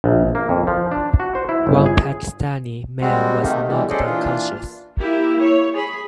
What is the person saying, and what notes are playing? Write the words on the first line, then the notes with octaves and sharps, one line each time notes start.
One Pakistani man was knocked unconscious.
A#1
A#3
F2
F3
D4
F#4
C5
E4
G1
G#4
G3 G#3 C4 F#4
C3 D#3 A3 A#3 D#4
B2 D3 E3 G3 G#3
C#4 G#4 A4 C5 D5 D#5
A#2 E3 D4 F4
A#3 E4 G4
C#5
G#4 B5